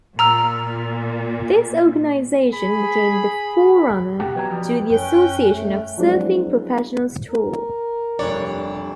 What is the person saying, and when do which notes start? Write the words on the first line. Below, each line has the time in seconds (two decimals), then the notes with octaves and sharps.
This organization became the forerunner to the Association of Surfing Professionals tour.
0.19 A#2 A#5 E6 F6
2.53 G#4 B5
4.20 B2 A#3 F#4 G4
4.36 B2 F#3 C#5 A#5
4.51 F3 G3
4.90 F#2 C#4 G5
5.49 A3
5.97 F3 F#3 G#3 C4 D4 E4
7.31 A#4
8.19 F1 G2 D4 C#5 D5